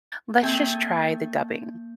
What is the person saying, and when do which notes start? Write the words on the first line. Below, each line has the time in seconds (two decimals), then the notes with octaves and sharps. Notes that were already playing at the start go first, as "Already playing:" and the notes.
let's just try the dubbing,
0.43 A3 A#3 C4 G#5 G6